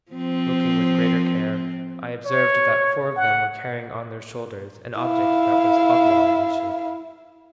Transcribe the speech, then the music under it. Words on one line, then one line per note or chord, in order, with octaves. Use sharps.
Looking with greater care, I observed that four of them were carrying on their shoulders an object that was oblong in shape.
F3 C4
C#5
F#5
E4 F5